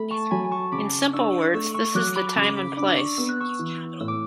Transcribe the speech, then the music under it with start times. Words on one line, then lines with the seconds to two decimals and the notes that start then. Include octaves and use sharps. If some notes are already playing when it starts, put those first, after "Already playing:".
In simple words this is the time and place.
Already playing: A3 B5
0.10 A5 C#6
0.31 F#3 G#5 B5
0.51 A5 C#6
0.72 C#3 B5 D6
1.13 D4 C#6 E6
1.54 A3 C#6 E6
1.74 C#6 E6
1.95 F#3 D6 F#6
2.16 B5 D6
2.36 C#3 B5 D6
2.56 B5 D6
2.77 D4 B5 D6
2.97 C#6 E6
3.18 B3 E6
3.29 F#6
3.40 C#6 E6
3.59 E3
4.00 A2 E6
4.08 D6